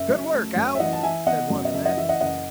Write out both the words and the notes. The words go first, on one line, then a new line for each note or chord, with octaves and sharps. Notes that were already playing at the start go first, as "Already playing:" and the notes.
"Good work, Alf!" said one of the men.
Already playing: F#1 E5
F#2
A3
F#2
E5
E3 D#5 F#5
A5
E3 E5 G#5
B3 D#5 F#5
F#2
D#5
F#1 E5
D#5 F#5
E3 E5
D#5 F#5
F#1 D#5 F#5